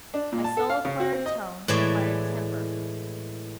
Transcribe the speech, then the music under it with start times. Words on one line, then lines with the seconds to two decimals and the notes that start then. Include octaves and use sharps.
My soul acquired tone--acquired temper.
0.14 D4
0.32 A#2
0.44 A5
0.57 A4
0.70 F5
0.85 C#3
1.00 F#4
1.13 C4
1.26 D#5
1.68 A2 E3 G#3 D5 E5